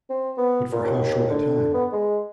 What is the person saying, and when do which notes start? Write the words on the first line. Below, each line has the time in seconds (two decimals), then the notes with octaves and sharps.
But for how short a time!
0.10 C4
0.37 B3
0.72 A#2
0.85 D#2
1.29 D3
1.74 B3
1.92 G#3